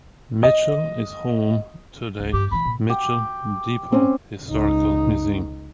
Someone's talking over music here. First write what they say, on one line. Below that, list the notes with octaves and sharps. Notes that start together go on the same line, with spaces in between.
Mitchell is home to the Mitchell Depot Historical Museum.
D#5
C#2
G2 G4
A2 E3 B5
A#2
G4
C4 C#4
C#2 D#4